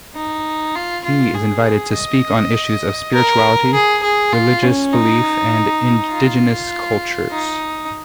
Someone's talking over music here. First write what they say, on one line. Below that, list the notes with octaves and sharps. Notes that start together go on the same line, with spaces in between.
He is invited to speak on issues of spirituality, religious belief and indigenous cultures.
D#4
F4
F4
G#4
D#5
A#4
G#4
G#4
F4
C#4
D#4
F4
D#4